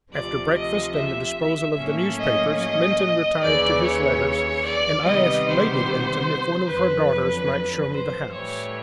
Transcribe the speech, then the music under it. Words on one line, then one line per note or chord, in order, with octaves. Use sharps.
After breakfast and the disposal of the newspapers, Lynton retired to his letters, and I asked Lady Lynton if one of her daughters might show me the house.
D2 C3 F3 D5
D#5
E5
A2 F#3 A#3 C#4
D#5
D#5
D#2 C#3 E3 D5
C#5
D5
C3 D#3 G3 B3 D#5
C5
F2 D3 F#3 B4
C5
A2 E3 G3 C#5